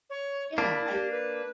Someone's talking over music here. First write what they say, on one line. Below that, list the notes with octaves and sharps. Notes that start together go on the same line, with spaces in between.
Yeah, I
C#5
A#3 D4 E4
G4
B4